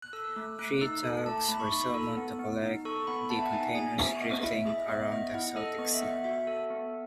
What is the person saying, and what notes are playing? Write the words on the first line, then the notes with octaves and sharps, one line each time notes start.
Three tugs were summoned to collect the containers drifting around the Celtic Sea.
F#6
A4 E6
A3
A3 F#6
D#4 E6
A4
A3 A5
A3 B5
C#6
D#4 B5
A4
B3
B3
D#4
A4 C#6
B3 B5
B3 A5
E5
F#5
D#4 G#5
G#4 G#5
B3 E5
B3 D#5
E4 E5
G#4 E5
D#5
B3 D#5
E5
B3 D#5
E4 F#5
A4 D#5
B3 D#5
E5
B3 F#5
F#4 E5
A4
B3